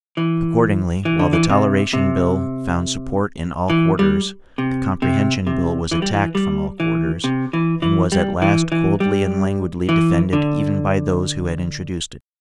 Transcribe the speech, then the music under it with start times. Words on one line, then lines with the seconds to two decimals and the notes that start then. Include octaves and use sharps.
Accordingly, while the Toleration Bill found support in all quarters, the Comprehension Bill was attacked from all quarters, and was at last coldly and languidly defended even by those who had introduced it.
0.17 E3
1.05 E3
1.19 D3
1.33 E3
1.50 C3
1.93 C3
3.70 E3
3.99 G3
4.58 C3
5.02 C3
5.47 C3
5.91 E3
6.02 G3
6.13 E3
6.35 G3
6.80 E3
7.24 C3
7.53 E3
7.82 E3
8.12 G3
8.42 E3
8.72 E3
9.00 G3
9.89 E3
10.33 D3